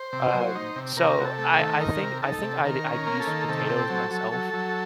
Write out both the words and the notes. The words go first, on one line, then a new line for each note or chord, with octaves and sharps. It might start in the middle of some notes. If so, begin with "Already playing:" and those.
Um, so I I think, I think I'd I'd use potatoes myself,
Already playing: C5
C3
F#3
D#4
C3
C3 A#4
C3 F#4
A4
A3
A4
D#3
D#4 A#4
C3
D#4 A4
C3
D#3 A#4
C#4
A#4
A#3
A4
D#3
C3 A4
C4
F#3
F#3
F#3
F#3